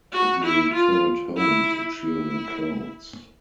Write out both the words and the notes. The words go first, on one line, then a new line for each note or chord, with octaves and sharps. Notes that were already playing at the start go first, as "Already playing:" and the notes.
He returned home to cheering crowds.
F#4
E4
F4
E4
E4